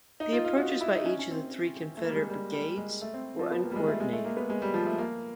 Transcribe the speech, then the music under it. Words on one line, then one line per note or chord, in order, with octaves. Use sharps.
The approaches by each of the three Confederate brigades were uncoordinated.
D#4
F4
F4
F#4
F4
E4
D#4
C#4
C#4
C4
A3
A#3
G3
G#3
G3
G3
G#3
A3
C4
F3
B3
A#3
G3
G#3
A3
G#3
A3
A#3
B3
G#3
G3
F3
A3
A#3